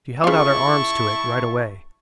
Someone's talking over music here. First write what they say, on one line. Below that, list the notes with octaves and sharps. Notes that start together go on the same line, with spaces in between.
She held out her arms to it right away.
C#3 E4 F4 A5 C#6